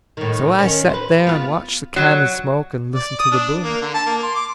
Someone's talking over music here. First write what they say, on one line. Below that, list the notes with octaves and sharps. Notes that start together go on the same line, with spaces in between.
So I set there and watched the cannon-smoke and listened to the boom.
A2 D#3
D#3 C#4
B4 C5
B3 F4
F#3
D5
D#6
D4
A#3
D3
A5
A#3
C6
D6